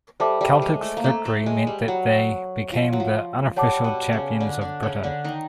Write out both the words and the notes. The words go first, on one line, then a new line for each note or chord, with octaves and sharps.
Celtic's victory meant that they became the unofficial champions of Britain.
G3 A4 C5 E5 A5 D6
G3
G#3
A3
A#3
A3
A3
G#3
G3
F#3
F3
F#3
F3
G3 C#5 F#5 A5 D6
B2 B3
C#3 C#4
D3 D4
D3 D4
C#3 C#4
D3 D4
D#3 D#4